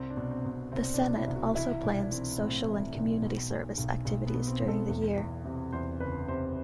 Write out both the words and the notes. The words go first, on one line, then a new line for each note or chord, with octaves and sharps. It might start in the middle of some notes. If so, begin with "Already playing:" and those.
The Senate also plans social and community service activities during the year.
Already playing: C2 C4
D4
B2
C4
B2
C4
C2 C4
D4
B2
E4
C2
F#4
E3 E4
B1 D4
E3 C4
A2 C4
E3
B1
B2
B1
B1
B1
B3
B2
C4
B1
A4
E2
E2
C3
E2 C5
F#1 B4
C3 C5